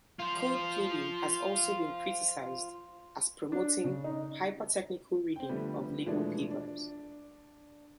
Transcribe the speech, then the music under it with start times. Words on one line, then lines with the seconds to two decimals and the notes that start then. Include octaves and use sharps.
Code pleading has also been criticized as promoting "hypertechnical reading of legal papers".
0.20 F4 C5
3.52 D4
3.84 C#3
4.04 D#4
5.36 C4 G5
5.49 D3 F3 G3 A3 B3
6.06 B2 E3 F3 G#3 A3 D4
6.51 D4